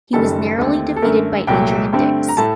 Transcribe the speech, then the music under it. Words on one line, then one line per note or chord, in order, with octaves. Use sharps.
He was narrowly defeated by Adrian Dix.
F#1 F#2 D#3 G3 A4
D#2 D3 A3 C4
A4
F#2 D3 A3 A#4
C2 A#2 F#3 A3 G5
G2 D3 A3 C4
A#5
A2 A3 A5